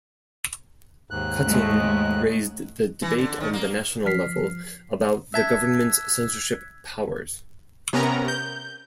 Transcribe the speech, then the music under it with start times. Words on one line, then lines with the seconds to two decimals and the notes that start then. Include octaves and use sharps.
Cutting raised the debate on the national level about the government's censorship powers.
1.11 D#2 G#2 F#6
1.46 G#3 A3
3.02 E3
3.18 D3
3.41 D#3
3.53 A#3
4.05 F3 F6 B6 C7
5.34 E5 A5 E6 F#6 G#6 B6
7.93 C3 B3 C#4 A#4 A#5
8.28 G6